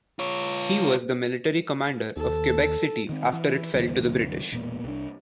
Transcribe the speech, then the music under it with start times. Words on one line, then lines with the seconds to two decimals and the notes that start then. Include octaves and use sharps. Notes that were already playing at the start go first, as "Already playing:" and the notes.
He was the military commander of Quebec City after it fell to the British.
0.19 F4 C#5
2.16 D#2 A4
3.09 D#3 C4
3.33 E3
3.74 D2 G2 C3 E3
4.52 E1 A#2 B3
4.84 C2 D4